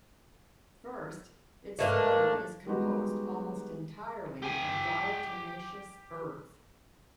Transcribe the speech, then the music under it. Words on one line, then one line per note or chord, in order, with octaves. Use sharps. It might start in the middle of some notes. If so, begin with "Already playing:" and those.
First, its soil is composed almost entirely of diatomaceous earth.
G#2 A3 A#3 D4 B4 D#5
G3 G#3 B3 D#4 F#4 G4
G4 G#5